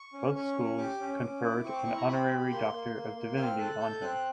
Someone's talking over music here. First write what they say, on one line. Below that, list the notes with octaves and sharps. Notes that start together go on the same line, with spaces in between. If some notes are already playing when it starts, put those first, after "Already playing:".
Both schools conferred an honorary doctor of divinity on him.
Already playing: C#6
C#4
C#4 C#6
C#4
G4 D6
C#4
C#4
E4
C4 C#6
D6
E4 C#6
A#5
C4 B5
G4
A#3 C6
A#3
A#3
A#3
C4 F6
A4 F#6
A4 G6
C4 F#6